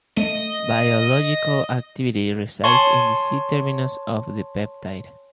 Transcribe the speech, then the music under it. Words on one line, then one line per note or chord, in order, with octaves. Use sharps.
Biological activity resides in the C-terminus of the peptide.
A3 D#5
C#5 G#5 A5 C6 C#6